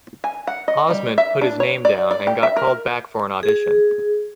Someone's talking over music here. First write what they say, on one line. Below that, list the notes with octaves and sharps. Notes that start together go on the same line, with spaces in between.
Osment put his name down and got called back for an audition.
G#5
F#5
D#5
G3
E5
D4
C#5
D5
D5
G4
E5
A#4
G#4